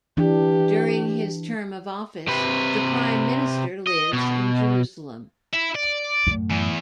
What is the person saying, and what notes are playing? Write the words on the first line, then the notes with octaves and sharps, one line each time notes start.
During his term of office, the prime minister lives in Jerusalem.
E3 D4 G4
C3 B4
D#5
B2
E4
D5
F#2 A2
E2 E3